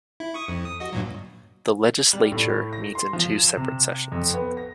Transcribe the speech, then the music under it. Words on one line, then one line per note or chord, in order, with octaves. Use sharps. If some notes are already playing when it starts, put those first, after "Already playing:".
The Legislature meets in two separate sessions.
E4
C#6 D#6
F2
D#6
F#4 D#5
G2 A#2 F#3
G3
A2
A#6
C6
F3
E7
C3
F2
B3
A#6